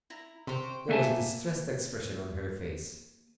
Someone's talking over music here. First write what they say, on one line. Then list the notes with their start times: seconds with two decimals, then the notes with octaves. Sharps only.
There was a distressed expression on her face.
0.10 E4 A#5
0.47 C3 C5 C#5 G5 C6
0.89 A#3 B3 E5 G#5 A5